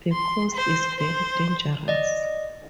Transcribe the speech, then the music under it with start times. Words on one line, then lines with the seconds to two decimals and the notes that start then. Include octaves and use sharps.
The coast is very dangerous.
0.12 C6
0.55 C5
1.00 C5
1.88 D5 D#5